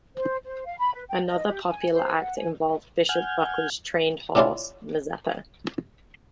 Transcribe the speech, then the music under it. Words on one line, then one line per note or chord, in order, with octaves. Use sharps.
Another popular act involved Bishop Buckley's trained horse, Mazeppa.
C5
C5
F5
B5
B4
G5
D#5
G4
G#5
C5
F#5
G#5
F#5 G#5 F6 G6 G#6
A2 D3 C#4 D4 E4 F4